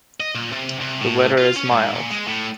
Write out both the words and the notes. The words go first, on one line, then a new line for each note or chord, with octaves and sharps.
The weather is mild.
D#5
A#2
C3
C2
A2
F4
C#4
G#2
A#2
G#3
A2